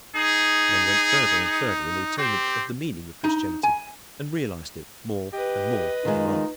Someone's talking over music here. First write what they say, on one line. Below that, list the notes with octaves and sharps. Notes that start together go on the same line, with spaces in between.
Men went further and further in the attainment of the meaning of Christianity, and realized it more and more in life.
D#4 G#4
C4 G4
D#4
G#5
G4 B4 D#5
D#3 G#3 D#4 F4